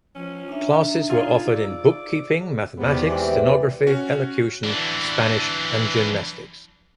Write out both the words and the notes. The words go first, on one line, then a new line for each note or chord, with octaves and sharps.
Classes were offered in bookkeeping, mathematics, stenography, elocution, Spanish and gymnastics.
F3 C#4
D4 D#4 E5
F4 G#4
G#4 D5 E6
E2 C3 D#3 B3 D5
E3 G#3 C4 G4 D6
C#4 F#4
E3 D4